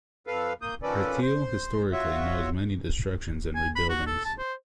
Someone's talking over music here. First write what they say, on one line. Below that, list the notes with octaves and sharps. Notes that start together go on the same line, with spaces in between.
Breteuil historically knows many destructions and re-buildings.
F2 A4 B4 F5
A#3 D#6 G6
D#3 F3 C#4 A4 B4 D5
C5
F4 F#4 C#5 E5
G#5
B5
F#4
A4
A5
C5